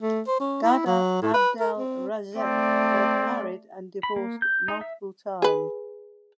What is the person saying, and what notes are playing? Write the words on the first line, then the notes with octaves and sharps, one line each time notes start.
Ghada Abdel Razek was married and divorced multiple times.
A3
C5
C#4
E4
F#3
A2
B4
A#4
C4
A3 C4 D5
B5
A#3
G6
D#4
E5
G#4 B4